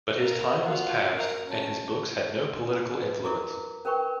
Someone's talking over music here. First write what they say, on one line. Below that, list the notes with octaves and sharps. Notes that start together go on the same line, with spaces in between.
But his time was past, and his books had no political influence.
A#3 A#5
F4 F#4
A#3 A#5
C#4 A5
B4
E4 A#4 D6
C#4 A#4 B4 G5 C#6